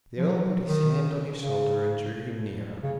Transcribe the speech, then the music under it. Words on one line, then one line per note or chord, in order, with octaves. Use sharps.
The Earl put his hand on his shoulder and drew him nearer.
F3
F#3
D#3
C#3
C#3